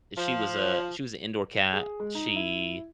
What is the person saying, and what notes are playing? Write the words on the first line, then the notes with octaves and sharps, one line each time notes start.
She was a she was a indoor cat. She
F3
G#4
G#3
D#4
E4